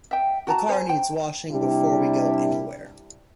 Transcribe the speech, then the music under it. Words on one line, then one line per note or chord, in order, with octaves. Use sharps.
The car needs washing before we go anywhere.
E5 G5
F#4 A5 A#5
C5 G#5
G5
C3 G3 D4 E4 G4